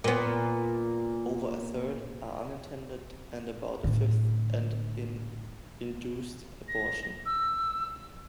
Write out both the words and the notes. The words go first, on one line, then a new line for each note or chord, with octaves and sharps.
Over a third are unintended and about a fifth end in induced abortion.
A#2 B3
A2 D3
A#6
E6